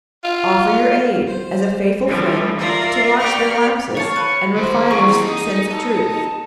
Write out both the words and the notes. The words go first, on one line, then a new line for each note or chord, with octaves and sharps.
Offer your aid, as a faithful friend, to watch their lapses, and refine their sense of truth.
F4
C5
D3 E3 F3 G3
F4 A#4 D5 E5 A#5
A#3 G4 D5 G5 C#6 F6
C#5 F5 A5
B4
D#3 C5
E3 C4 G#4 A#5 C#6
D#4
A4